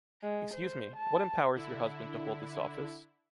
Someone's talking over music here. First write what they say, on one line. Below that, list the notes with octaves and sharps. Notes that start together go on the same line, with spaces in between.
Excuse me, what empowers your husband to hold this office?
G#3
C5
A5
D3 E4